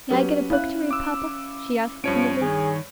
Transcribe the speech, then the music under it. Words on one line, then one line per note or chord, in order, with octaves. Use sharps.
"May I get a book to read, papa?" she asked timidly.
F#3 C#4 G4 B4
E4 F5 F#6
D6 E6
G2 F3 C#4 C#5 D7
D#3 G#4